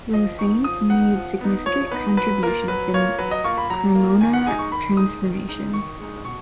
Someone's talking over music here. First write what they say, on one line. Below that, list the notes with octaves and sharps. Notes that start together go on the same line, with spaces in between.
Rosanes made significant contributions in Cremona transformations.
F3 D#5
B3 D#4 C#6
F3 D#6
B3 D#4 F#5
F3
B3 D#4
F3 C#5
C#5
B3 D#4 B4
F#3 B4
A#3 F4 A#4
F#3 B4
A#3 F4 C#5
F#3 B4
D#5
A#3 F4 C#6
B5
F#3 A#5
A#3 F4
D#3 G#5
F#5
G#3 D#4 G#5
C#6
D#3 B5
G#3 D#4 D#6
D#3
G#3 D#4
D#3 C#6
G#3 D#4
B2 C#6